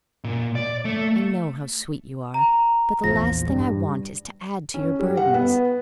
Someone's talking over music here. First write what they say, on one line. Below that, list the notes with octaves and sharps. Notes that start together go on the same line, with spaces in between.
I know how sweet you are; but the last thing I want is to add to your burdens.
A#2
D5
A3
A#5
A#1 E2 F3 A#6
G2 G3
C#4
G3
F#5
B3